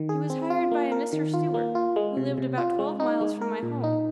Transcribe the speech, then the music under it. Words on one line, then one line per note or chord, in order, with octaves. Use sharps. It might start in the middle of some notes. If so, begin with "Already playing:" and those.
She was hired by a Mr. Stewart, who lived about twelve miles from my home.
Already playing: D#3
G#4
C4
F4
A#3
A#4
D#3
F4
A#3
F4
G#3
C3
C3
F4
G#3
D#4
G#3
A#4
A#2
D#4